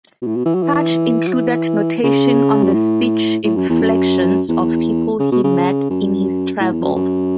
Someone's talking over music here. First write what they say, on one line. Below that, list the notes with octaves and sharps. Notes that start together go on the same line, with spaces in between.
Partch included notation on the speech inflections of people he met in his travels.
B2
A2
B2
E3
F#3
E3
F#3
E3
C#3
F#2
A2
A2
F#2
E2
F#2
E2
C#3
B2
C#3
F#2
A2
E2
F#2
F#2